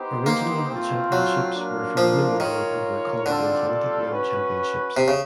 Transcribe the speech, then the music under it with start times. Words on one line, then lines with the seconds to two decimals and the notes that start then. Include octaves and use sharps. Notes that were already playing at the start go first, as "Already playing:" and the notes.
Originally the Championships were for women only and were called the Atlantic Rim Championships.
Already playing: B3 D#4 G4 C5
0.26 A#3
0.69 A3 C4 F4
1.12 F#3
1.55 A#3 D4 F4 A#4
1.97 F3
2.40 D#3 F4 A#4 C#5
3.25 D3 G3 C4 F4 A4 D5
4.11 C#4 F#4 B4
4.97 C3
5.08 C#3